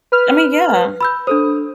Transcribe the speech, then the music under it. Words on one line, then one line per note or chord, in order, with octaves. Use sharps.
I mean, yeah.
B4 F6
B5 E6 G6
D4 A4 C5 D#6